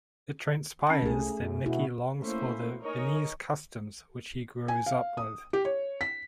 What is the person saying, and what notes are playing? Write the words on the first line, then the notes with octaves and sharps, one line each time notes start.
It transpires that Niki longs for the Viennese customs which he grows up with.
C#4 A5
C2 A3 G#4
F#2
B2 E4 F#4
A3 A#3 C#4 E4 C5
D#4 A#4 C#5 D#5 G#5
G#5
F5
D#6
G4
C#5
B6